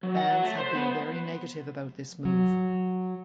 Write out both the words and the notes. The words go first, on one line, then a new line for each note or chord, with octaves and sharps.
Fans had been very negative about this move.
F#3
F#5
F#3
A3
C5
B3
F#3